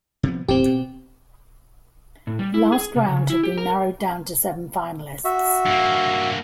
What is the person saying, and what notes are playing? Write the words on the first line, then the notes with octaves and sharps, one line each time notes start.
The last round had been narrowed down to seven finalists.
C3 F3 B3
D1 E2 A2 C4 G4
B2
A2
G3
E4
G#4
C3
C#3
E4
G4
A#4
F#4 E5
G2 A#3